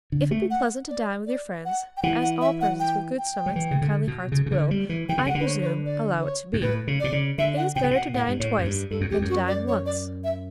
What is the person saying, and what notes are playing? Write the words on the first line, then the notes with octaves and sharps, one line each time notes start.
If it be pleasant to dine with your friends, as all persons with good stomachs and kindly hearts will, I presume, allow it to be, it is better to dine twice than to dine once.
D3
A3
F#5
D5
D5
F#5
G5
E3 F#5
F#5
E5
F#5
G5
G5
F#3
E3
C#3
D3
B2
C#3
C#3
D3
G3
E3
E3 G5
D3
C#3 F#5
D3
B4
C#5
C#5
B4
D5
B4
C#5
G2
A2 B4
C#3
B2 D5
C#3
D3 E5
F#5
B2 G5
C#3
B2 F#5
A2 F#5
G2
A2 C#5
F#2
G2
G2 A4
F#2
E2 G4
F#2
F#4
D5
C#5
D5
E5